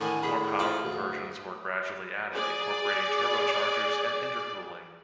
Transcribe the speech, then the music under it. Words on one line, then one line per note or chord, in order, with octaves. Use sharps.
More powerful versions were gradually added, incorporating turbochargers and intercooling.
A2 D3 D#3 G#5
G#4 B5
F4 C5 D5 E5
D2
G#4 D5